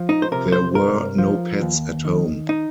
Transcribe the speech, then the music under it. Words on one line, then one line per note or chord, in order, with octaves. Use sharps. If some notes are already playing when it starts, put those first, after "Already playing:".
There were no pets at home.
Already playing: F3
D#4
C5
C3 A#4
C5
G2 A#4
F3
D#2
D#3
D#4